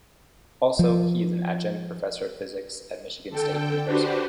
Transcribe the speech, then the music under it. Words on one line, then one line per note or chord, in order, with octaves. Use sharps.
Also, he is an Adjunct professor of physics at Michigan State University.
F3
D3 A4 G5
D4 F#4 G4 B4 C5